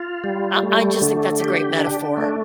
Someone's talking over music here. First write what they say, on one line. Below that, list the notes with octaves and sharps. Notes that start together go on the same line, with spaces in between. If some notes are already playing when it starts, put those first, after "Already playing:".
I I just think that's a great metaphor
Already playing: F4
G3
A3
D3
G4
D4
A3